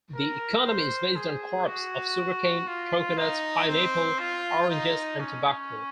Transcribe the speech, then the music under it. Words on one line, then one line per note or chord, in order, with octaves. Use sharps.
The economy is based on crops of sugarcane, coconuts, pineapple, oranges and tobacco.
A#4
C5
G#4
F#4
F4
D#4
C4
F4
D#4
C#4